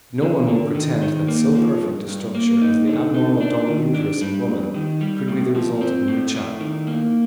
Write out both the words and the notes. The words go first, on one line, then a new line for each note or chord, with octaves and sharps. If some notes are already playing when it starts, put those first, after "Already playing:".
No one will pretend that so perfect a structure as the abnormal double uterus in woman could be the result of mere chance.
D3
D3
D#3
D#3
A#3
F3
G2
G2
A#3
D#4
D3
D#4
D4
D#3
D4
G3
G2
D#3
G3
A2
F3
C4
A2
A2
D#3
A#3